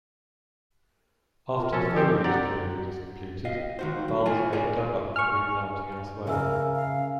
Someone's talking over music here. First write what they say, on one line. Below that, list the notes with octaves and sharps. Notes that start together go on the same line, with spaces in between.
After the foliage period is completed, bulbs may be dug up for replanting elsewhere.
F4 A#4
F3 C#4 A4
C4 G4
G4 D5 F#5 A#5
D#5 F5
D#3 F#4 C5
F#2
F4 D#5 G#5
G#4 A#4 C#5 D5 G#5
G#5 C#6 F6
C#3 A#4 E5 G#5 E6
F5